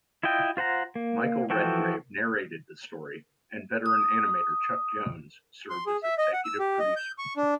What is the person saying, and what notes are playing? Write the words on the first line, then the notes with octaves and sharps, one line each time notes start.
Michael Redgrave narrated the story and veteran animator Chuck Jones served as executive producer.
E4 F4 D#5 G5
F4 C5 F#5 A#5
A#3
E3 F3 F#4 A4 G5
D#6
C6
G#4
E5
D#5
F#5
E6
G4
D#5
G6
C#6
D4